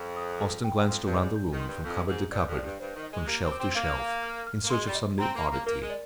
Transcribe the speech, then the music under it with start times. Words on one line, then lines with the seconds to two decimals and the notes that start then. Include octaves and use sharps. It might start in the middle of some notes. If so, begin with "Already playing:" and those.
Austin glanced around the room from cupboard to cupboard, from shelf to shelf, in search of some new oddity.
Already playing: F2
0.17 D#6
0.41 G#4
0.64 G5
0.88 F2 C6
1.04 G2
1.12 D5
1.20 G#2
1.36 G6
1.52 D#3
1.60 C6
1.68 G2
1.84 F2 G6
2.07 G#2 D#5
2.32 G2 D5
2.48 F2
2.56 D5
2.63 G2
2.80 G2 C5
2.95 D#3
3.03 D#5
3.12 G#3
3.27 A#3 G4
3.43 C4
3.51 D6
3.59 C4
3.75 A#3 F5
4.00 F5
4.23 F6
4.47 F6
4.64 A#3
4.70 G#3 C6
4.86 G3
4.95 D#5
5.19 C4 A#5
5.35 A#3
5.43 A#5
5.50 A#3
5.66 A#3 A#4
5.82 G#3
5.90 D5